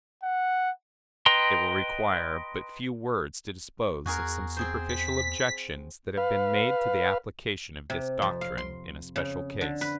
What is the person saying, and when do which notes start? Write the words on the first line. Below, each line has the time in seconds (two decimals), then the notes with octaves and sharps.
It will require but few words to dispose of some superficial objections that have been made to the application of this doctrine in a special case.
0.23 F#5
1.26 B4 D#5 G5 A#5 C6
4.06 E2 F#4 G#4 A#4
4.57 C4 G#4 C5
4.89 B6
6.17 B4 F5
7.90 C3
8.22 F2
8.41 F5
8.58 C6
9.16 C#3
9.61 D3
9.81 B4